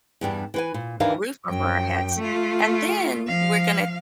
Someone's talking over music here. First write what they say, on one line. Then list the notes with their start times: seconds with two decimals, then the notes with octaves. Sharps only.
a roof over our heads, and then we're gonna,
0.21 E2 G2 G3 D4
0.54 E3 B4 G#5
0.74 A#2
1.00 D#2 E3 D4 E4 A#4 F5
1.46 F#2 G5
2.18 A3 F4
3.27 F3 F5